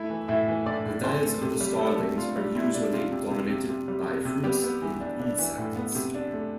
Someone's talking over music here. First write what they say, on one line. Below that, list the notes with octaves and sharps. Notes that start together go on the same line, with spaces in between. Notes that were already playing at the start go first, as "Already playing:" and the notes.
The diets of the starlings are usually dominated by fruits and insects.
Already playing: A3 E4 E5
E3
A2 E4 E5
E3
A2 D4 D5
A2
E3 C4 C5
A3
C3
G3
A3 D4 A4
C3
D4 F4
G3
C3 E4
D4
C3 F4
C3
C3
C3
C3
G3
C3
C3
G3 B3 G4
B3
E3
D4
D4
E3
A2
B3
C3
D4
A3